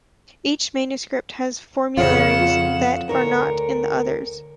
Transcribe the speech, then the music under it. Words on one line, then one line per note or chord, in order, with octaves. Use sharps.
Each manuscript has formularies that are not in the others.
F2 C#3 F4 F#5 E7
D2 A#4 C#5